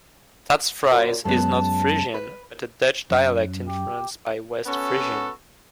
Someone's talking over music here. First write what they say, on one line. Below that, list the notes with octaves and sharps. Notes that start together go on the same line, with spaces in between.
Stadsfries is not Frisian, but a Dutch dialect influenced by West Frisian.
F#2 A#2
F#2 G#3 B3 A5
B4
F#2
G4
B3 C#4 F#4 A4